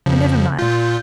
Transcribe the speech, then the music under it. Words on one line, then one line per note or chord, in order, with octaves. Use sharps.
But never mind.
F2 C#3 F3
A#2 F4 G6